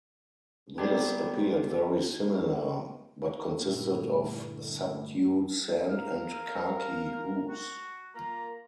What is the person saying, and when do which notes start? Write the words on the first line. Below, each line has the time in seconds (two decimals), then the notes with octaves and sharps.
This appeared very similar, but consisted of subdued sand and khaki hues.
0.78 B3 C4 D4 G4
3.61 G2 A#2 D3 A3 D4 E4
5.89 A#4 F5
6.35 F5
7.49 F#4
8.15 A#3 F4 A#5